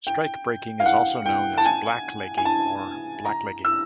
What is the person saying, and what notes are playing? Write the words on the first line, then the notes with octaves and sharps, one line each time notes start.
Strikebreaking is also known as "black-legging" or "blacklegging".
G5
F5
F#5
G5
A5
G#5
G#5
A5
A#5
E6